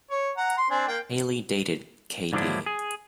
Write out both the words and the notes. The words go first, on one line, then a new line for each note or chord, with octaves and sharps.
Hailey dated k.d.
C#5
F#5 A#5
C6
C4 D4 G#5
A#3 G5
G#2 D3 F3 F#3 D4 E4
G#4